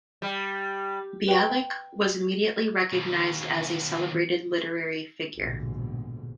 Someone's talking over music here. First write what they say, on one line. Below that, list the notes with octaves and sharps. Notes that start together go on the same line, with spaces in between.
Bialik was immediately recognized as a celebrated literary figure.
G3
B4 G5
D#2 B2
A#1 E2 G#2 B2 D3